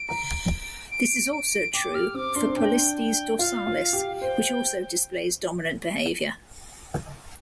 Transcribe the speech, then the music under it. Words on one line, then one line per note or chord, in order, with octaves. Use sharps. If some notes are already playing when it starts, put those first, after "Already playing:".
This is also true for "Polistes dorsalis", which also displays dominant behavior.
Already playing: D7
A#5
D7
D7
G5 D6
G4 F6
C4 D6
D4 C6
C4
D4 G5
G5
F4 F5
F4
G4
C5 G5